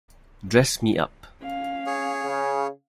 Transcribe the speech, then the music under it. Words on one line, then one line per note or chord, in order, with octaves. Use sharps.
Dress Me Up!
C#4 F5
G#4 C#5
C#3